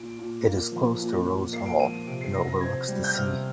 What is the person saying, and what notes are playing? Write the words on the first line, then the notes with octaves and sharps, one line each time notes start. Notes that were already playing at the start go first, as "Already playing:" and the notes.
It is close to Rose Hall and overlooks the sea.
Already playing: A#2 D7
A#2
A#3
F3
A#2
A#2
A#3 C7
D7
F3 D#7
D#7
C3 D7
C7
C3 A#6
A#6
C4 G#6
G3
G6
C3 F6